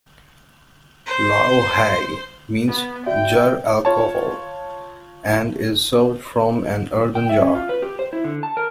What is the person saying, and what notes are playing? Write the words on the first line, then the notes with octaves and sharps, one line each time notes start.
"Lao hai" means "jar alcohol" and is served from an earthen jar.
C5 C6
B3
F#4 D5 E5 G5
F4 C#5 A5
G5
E5
C#4
F4
B4
G4
C5
E4
D3
A5
A#4